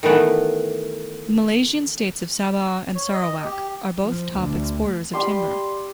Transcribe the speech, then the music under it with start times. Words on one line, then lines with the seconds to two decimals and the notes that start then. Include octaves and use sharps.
The Malaysian states of Sabah and Sarawak are both top exporters of timber.
0.03 D#3 E3 A3 B3
2.95 C#5
3.13 D#5
3.45 G4
4.01 F3
4.32 D2
5.13 G3 C6